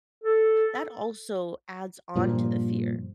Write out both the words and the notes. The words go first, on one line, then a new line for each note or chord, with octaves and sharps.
that also adds on to the fear,
A4
G2 A#2 F3